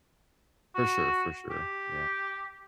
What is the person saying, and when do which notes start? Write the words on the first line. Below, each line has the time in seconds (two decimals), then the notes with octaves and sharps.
For sure, for sure. Yeah.
0.75 F#4
1.50 G4